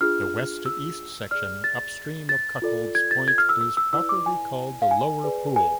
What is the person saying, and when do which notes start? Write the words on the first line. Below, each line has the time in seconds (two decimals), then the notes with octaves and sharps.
The west-to-east section upstream of Cuckold's Point is properly called the Lower Pool.
0.01 D4 F4 G#4 F6
0.66 E6
1.31 G#4 D5 F6
1.64 A6
2.29 A6
2.62 F4 A4 D5
2.95 G#6
3.11 A6
3.28 G#6
3.38 F6
3.49 E6
3.61 E6
3.77 E6
3.93 E4 B4 D5 E6
4.09 D6
4.26 G#5
4.82 F5
4.91 G#5
5.24 G#4 B4 D5
5.56 G#5